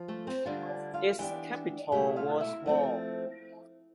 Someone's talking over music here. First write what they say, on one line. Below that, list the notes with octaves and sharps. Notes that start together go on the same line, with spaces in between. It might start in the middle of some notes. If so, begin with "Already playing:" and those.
Its capital was Bol.
Already playing: F3 F4
A3 A4
C4 C5
D3 G3 D4 F4
F4 F5
E3 B3 D4 G4 G5
B2 A3 E4 G4 G5
F4 F5
E4 E5
F3 A3 C4